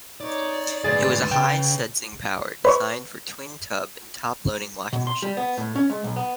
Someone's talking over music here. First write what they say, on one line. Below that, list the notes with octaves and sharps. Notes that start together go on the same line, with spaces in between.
It was a high-sudsing powder designed for twin-tub and top-loading washing machines.
D#4 C#5 D5
D2 G#2 G#4 B4 D5 A6
C#3 G5
B4 C5 C#6
B2
C6
G3
B3
A2
C#4
G#3
B1
B3